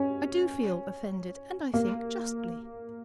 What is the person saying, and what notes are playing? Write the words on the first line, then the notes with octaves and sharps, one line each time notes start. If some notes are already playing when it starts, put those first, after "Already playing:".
'I do feel offended; and, I think, justly.
Already playing: C#4
A#3